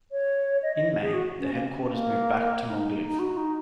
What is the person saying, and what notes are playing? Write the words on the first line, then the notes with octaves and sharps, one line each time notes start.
In May, the headquarters moved back to Mogilev.
C#5
D#5
D#5
G#4
F#4
C#4
A#3
C#4
A#3
D#4
D#4
F#4
D#4